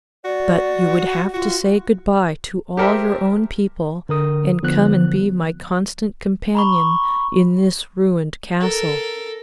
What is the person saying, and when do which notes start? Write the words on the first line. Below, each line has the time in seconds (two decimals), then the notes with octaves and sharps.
But you would have to say good-bye to all your own people and come and be my constant companion in this ruined castle.
0.25 F#4 D5
1.34 F4 F#4
2.77 G4 A4 A#4 C5 E5
4.09 D3 A#4 D#6
4.63 D3 F3 B3 F#6
6.55 A#5 B5 C#6
8.60 A4 A#4